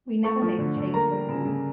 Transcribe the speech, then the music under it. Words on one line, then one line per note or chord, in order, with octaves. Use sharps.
We never made a change in the rules.
A3 C#6
F3
D3
D3
A#3 A#5
G3
C#3
C#3